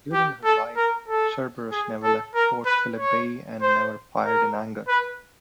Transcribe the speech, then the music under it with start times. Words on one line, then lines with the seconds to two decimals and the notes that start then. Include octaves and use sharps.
During her life, "Cerberus" never left Port Philip Bay, and never fired in anger.
0.13 G4
0.44 A4
0.76 A#4
1.08 A4
1.71 G#4
2.03 A4
2.35 A#4
2.66 B4
2.98 C#5
3.61 C5
4.25 A#4
4.88 B4